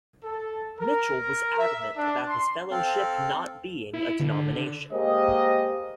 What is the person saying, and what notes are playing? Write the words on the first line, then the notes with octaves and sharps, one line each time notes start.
Mitchell was adamant about his fellowship not being a denomination.
A4
A#4
E5
D4
C6
C4 A4 F5
E4
D3
G#3 A#3 G4 A#4 C5 D#5